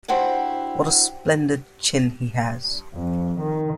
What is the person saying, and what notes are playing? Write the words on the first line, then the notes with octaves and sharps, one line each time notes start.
What a splendid chin he has!
D4 E4 F#4 G4 C5
F2
D#3